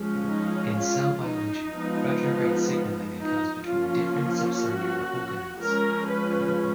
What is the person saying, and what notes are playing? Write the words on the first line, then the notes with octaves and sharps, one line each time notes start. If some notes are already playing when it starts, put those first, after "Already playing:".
In cell biology, retrograde signaling occurs between different subcellular organelles.
Already playing: F3 G#3 C#4
D#4
F4
D#4
F3 G#3 B3
D#4
F3 A#3 C#4 F4
F#4
F3 G#3 C#4 A#4
B4